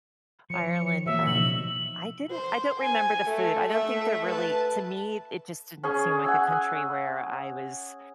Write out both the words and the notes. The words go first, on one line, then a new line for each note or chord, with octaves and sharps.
Ireland, um, I didn't I don't remember the food. I don't think they're really to me, it just didn't seem like a country where I was
F3 C#5 C#7
E3 F#3 A#3 E5
B2 F3 D#4 F#7
C5
G#5
A3
A3 E5
B4 A5
C#4 G#4 C#6
F#5 G#5 E6